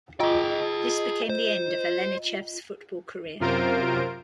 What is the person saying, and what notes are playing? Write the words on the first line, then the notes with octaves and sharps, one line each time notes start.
This became the end of Alenichev's football career.
F4 G#4 D#5 G5
C5
F#2 C3 F4 A#4 C5 D7